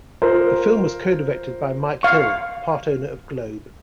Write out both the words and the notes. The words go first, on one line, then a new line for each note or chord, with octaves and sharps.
The film was co-directed by Mike Hill, part owner of Globe.
F4 A#4 C5
F5 C#6